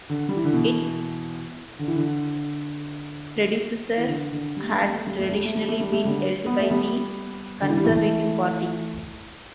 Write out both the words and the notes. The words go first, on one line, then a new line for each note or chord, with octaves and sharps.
Its predecessor had traditionally been held by the Conservative Party.
D3
G3
E3
D3
B2 E3
D3
E3
D3
E3
D3
D3
G3
A3
G3
A3
G3
A3
G3
A3
G3
A3
G3
A3
D3 G3
B3
A3
G3 B3
D3
E3
G3
E3 A3